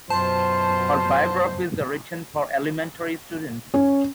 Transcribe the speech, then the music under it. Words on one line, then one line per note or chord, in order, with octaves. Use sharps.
Her biographies are written for elementary students.
F#2 B2 F4 C5 A5
C#4